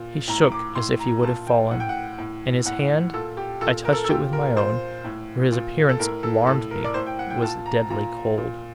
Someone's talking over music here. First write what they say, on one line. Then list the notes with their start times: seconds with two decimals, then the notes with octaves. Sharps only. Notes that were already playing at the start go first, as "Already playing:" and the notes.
He shook as if he would have fallen; and his hand--I touched it with my own, for his appearance alarmed me--was deadly cold.
Already playing: A#2
0.28 A2 A#5
0.52 D6
0.75 A2 C6
0.99 A#5
1.23 A#2 A5
1.47 G5
1.71 A2 F#5
1.80 G5
1.89 F#5
2.18 A2
2.66 A2 F#5
3.14 A#2 A4
3.37 G4
3.61 A#2 A4
3.85 A#4
3.93 A4
4.04 A4
4.09 A#2 G4
4.33 A#4
4.57 A#2 C5
5.04 A2
5.52 A#2
5.89 A4
6.00 A2 A#4
6.23 A4
6.47 A2 A4
6.71 A#4
6.84 D5
6.94 A2 C5
7.07 G5
7.19 F#5
7.30 G5
7.42 A#2 A5
7.66 A#5
7.90 A#2 A#5
8.38 A#2